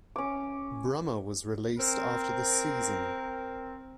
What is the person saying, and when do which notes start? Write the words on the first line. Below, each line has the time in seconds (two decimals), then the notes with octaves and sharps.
Brummer was released after the season.
0.16 C#4 D6
1.78 C4 A#4